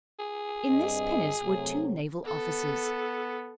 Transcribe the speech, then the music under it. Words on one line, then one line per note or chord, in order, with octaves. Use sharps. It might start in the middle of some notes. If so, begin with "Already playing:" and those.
In this pinnace were two naval officers.
G#4
G2 C4 D#5
C3 F#3 A3
B3 A4